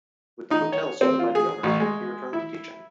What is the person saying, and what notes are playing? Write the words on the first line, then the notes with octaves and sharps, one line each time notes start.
With the hotel sold by the owner, he returned to teaching.
D#4
C#5
C4
F4
G#4
A1
G#3
E4